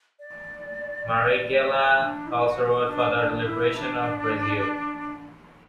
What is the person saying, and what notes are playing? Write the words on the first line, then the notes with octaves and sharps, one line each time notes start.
Marighella also wrote "For the Liberation of Brazil".
D5
D4
E4
F#4
F#4
D4
D4
E4
D4